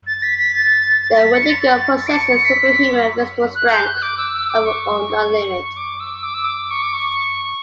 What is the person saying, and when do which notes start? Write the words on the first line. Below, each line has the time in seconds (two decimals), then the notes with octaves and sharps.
The Wendigo possesses superhuman physical strength of an unknown limit.
0.07 A6
0.22 B6
0.39 B6
0.54 A6
1.02 A6
1.18 B6
1.34 C#7
1.46 B6
1.50 A6
1.97 A6
2.07 D7
2.12 C#7
2.28 C#7
2.45 B6
3.55 F#6
3.70 G6
3.87 F#6
4.02 D6
4.18 E6
4.34 E6
4.50 D6
4.65 C#6
5.76 D6
6.00 E6
6.23 D6
6.34 E6
6.45 D6
6.71 C#6
6.83 D6
6.93 C#6